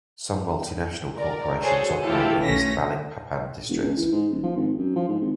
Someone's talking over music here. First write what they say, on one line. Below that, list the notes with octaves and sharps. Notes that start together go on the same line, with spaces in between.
Some multinational corporations operate in East Balikpapan district.
A#4 D5
F#4 G#4 A4 C5 C#5
E3 A3 E4 F4 G4 A4
B1 A3 C#4 A#6 B6
E1
C#2
E3
G#2
D#1
F3
G#1
F#2
F3
G#2
G#1